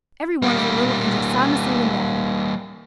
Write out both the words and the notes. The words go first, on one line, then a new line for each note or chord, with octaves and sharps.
Every one of the little angels sound asleep in bed.
G3 A#3